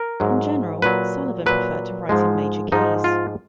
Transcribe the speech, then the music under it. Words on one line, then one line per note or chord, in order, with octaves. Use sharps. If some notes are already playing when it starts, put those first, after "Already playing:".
In general, Sullivan preferred to write in major keys.
Already playing: A#4
G#2 F#3
A#2 F#3 B4
A#2 F#3 B4
G#2 F3 G#3
G#2 F3 G#3 D#4
F4